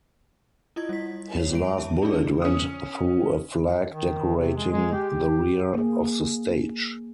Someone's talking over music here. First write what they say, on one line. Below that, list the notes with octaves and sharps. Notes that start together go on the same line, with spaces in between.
His last bullet went through a flag decorating the rear of the stage.
E4 F4 D#5 G#6
G3 B6
C#5 F7
G#3 C#5 D7
E5 A5
D4 E4 F4 G#4 D5
C#4 D#6
D#3
C3
G#3
G#3
G4
A#3 G#4